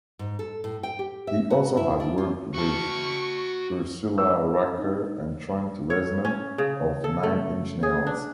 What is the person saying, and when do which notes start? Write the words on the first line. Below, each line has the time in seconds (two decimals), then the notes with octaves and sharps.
He also has worked with Ursula Rucker and Trent Reznor of Nine Inch Nails.
0.19 G#2
0.39 A4
0.64 A2
0.83 G5
0.99 G4
1.27 E5
1.50 F#4
1.77 E4
2.00 D4
2.18 F4
2.54 F#4 A5 C#6
4.18 E6
4.78 D#4
5.90 C#5
6.25 C#4
6.58 C#3
7.04 A4
7.23 A3
7.83 G#4
8.07 D4